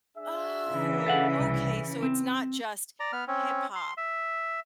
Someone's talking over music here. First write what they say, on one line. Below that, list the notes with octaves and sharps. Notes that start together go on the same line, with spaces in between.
"Oh, okay." So it's not just hip hop
D4 G#4 E5
C#3 E3
A4 F5 F#5
C2
C4
D5 A#5
B3 F6
C4 C#4
C6
E5